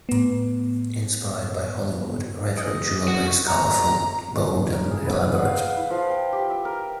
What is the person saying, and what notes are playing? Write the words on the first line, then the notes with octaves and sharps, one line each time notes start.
Inspired by Hollywood, Retro jewelry is colorful, bold and elaborate.
A2 B3
G#4 D#5
F#4
A#5
A#4
G#4
B4
F#5
F5
E4
F3
G5
G4
E5
A#4